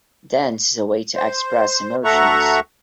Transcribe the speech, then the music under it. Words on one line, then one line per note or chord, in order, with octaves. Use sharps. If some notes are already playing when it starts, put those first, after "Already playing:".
Dance is a way to express emotions.
C5
D2 A4 E5 F#5 A#5 C#6